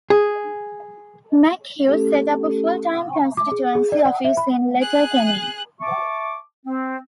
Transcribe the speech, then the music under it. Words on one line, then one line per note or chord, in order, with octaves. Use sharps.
McHugh set up a full-time constituency office in Letterkenny.
G#4
A3 C#4 G4 A4
D6
G#4
G#4
D5
F#5
E5
B5
G#4 F#6
E5 A5 C#6 D6
C4